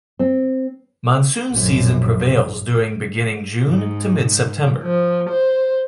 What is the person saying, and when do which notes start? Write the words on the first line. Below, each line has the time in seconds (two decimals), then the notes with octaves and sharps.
Monsoon season prevails during beginning-June to mid-September.
0.19 C4
1.50 A#1 F#2
3.65 G#2
4.82 F3
5.28 C5